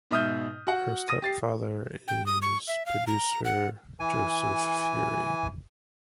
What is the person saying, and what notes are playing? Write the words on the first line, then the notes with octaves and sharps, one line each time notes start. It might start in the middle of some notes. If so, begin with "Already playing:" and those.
Her stepfather is producer Joseph Feury.
G#2 B2 E5 D#6 F6 G6
F#4 F#5
D#6 A#6 D#7
G4 A6 C7
G5
D#6
C#6
E5
F5
A#5
F#5
E3 G#5